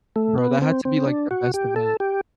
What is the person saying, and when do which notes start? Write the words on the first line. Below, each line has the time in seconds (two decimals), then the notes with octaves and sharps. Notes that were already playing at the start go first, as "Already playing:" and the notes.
Bro, that had to be, like, the best event.
0.16 A3
0.38 B3
0.62 C4
0.85 C4
1.07 D4
1.31 F#4
1.54 G4
1.76 A4
2.00 G4